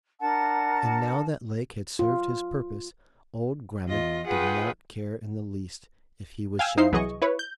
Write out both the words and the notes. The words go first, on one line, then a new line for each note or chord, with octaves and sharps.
And now that Lake had served his purpose old Grammont did not care in the least if he was shelved.
D4 A#4 F#5 A5
F4
E2 F4 D#5
F4 G#4 B4 F#5 G5
F5 G5 G#5 E6
D#4 E4 C5 F5 C7
C2 E3 F#3 G#4 D#5 C#6
E4 B4 C#5
G6